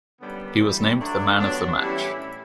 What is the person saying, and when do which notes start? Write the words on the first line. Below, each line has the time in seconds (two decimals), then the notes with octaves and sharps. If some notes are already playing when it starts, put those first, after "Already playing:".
He was named the Man of the Match.
0.20 F#2 D3 G3 B3
0.59 G2 E3 G3
0.99 F#3 A3 D4
1.38 G2 F#3 B3 D4
1.78 A2 E3 G3 C#4 E4